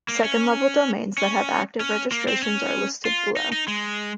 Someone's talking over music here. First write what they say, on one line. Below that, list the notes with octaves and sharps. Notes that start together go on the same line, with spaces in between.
Second-level domains that have active registrations are listed below.
A#3
C#4
C#4
C#4
A#3
C4
C#4
F4
D#4
D#4
G#3